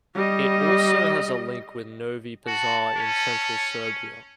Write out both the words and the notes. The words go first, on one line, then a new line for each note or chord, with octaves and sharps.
It also has a link with Novi Pazar in Central Serbia.
G3 D#5
F#4 A5
C#4